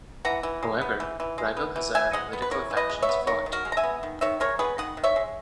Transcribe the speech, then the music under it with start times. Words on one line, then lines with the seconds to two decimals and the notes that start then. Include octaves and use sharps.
However, rival Hazara political factions fought.
0.25 E3 F#5 A#5
0.43 E3
0.63 G#3
0.81 B3
1.00 E3
1.20 E3
1.38 G#3
1.57 B3
1.76 E3
1.95 E3 E5 G#5
2.13 G#3 D#5 F#5
2.33 B3
2.42 B4
2.51 E3 A#4 C#5
2.71 E3
2.77 B4 D#5
2.90 G#3
3.02 C#5 E5
3.09 B3
3.27 D#3 A#4 C#5
3.46 D#3
3.53 F#4 A#4
3.65 G#3
3.72 A#5
3.77 E5 G#5
3.83 B3
4.03 D#3
4.21 D#3 C#5 E5
4.40 G#3 A#4 C#5
4.59 B3 G#4 B4
4.78 D#3 D#5 F#5
4.97 D#3
5.04 C#5 E5
5.16 G#3